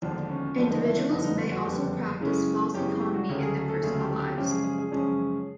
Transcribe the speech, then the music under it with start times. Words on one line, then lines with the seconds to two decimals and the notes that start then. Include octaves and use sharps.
Individuals may also practise false economy in their personal lives.
0.02 E1 D#2 D3 F3 D4
0.30 C#4
0.57 E1 D#2 D3 F3 D4
0.70 D#4
0.84 E4
0.97 D4
1.11 F#1 F2 D3 G3 B3 D#4
1.24 D#4
1.38 F4
1.52 F#4
1.65 F#1 F2 D3 G3 B3 G4
2.19 F#2 C#3 E3 G#3 C#4
2.74 F#2 C#3 E3 G#3 C#4 G4
2.88 G#4
3.01 G4
3.15 F#4
3.29 D2 C#3 F#3 A3 G4
3.43 G#4
3.56 G#4
3.69 A4
3.83 D2 C#3 F#3 A3 G#4
4.00 G4
4.19 G4
4.37 F#2 C#3 F3 G#3 C#4 G4
4.51 G#4
4.64 G#4
4.79 G#4
4.91 F#2 C#3 F3 G#3 C#4